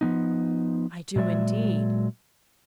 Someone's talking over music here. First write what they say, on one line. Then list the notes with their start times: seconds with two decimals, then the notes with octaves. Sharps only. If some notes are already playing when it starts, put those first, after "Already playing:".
"I do, indeed."
0.01 F3 B3 D#4
1.16 A#2 F#3 G#3 D5 E5